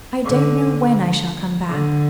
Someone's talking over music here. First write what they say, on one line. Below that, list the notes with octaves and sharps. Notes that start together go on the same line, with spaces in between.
"I don't know when I shall come back."
D3
D3